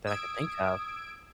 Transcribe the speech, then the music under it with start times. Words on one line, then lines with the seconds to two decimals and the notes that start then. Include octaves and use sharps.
that I can think of.
0.07 D#6 E6 G#6 D7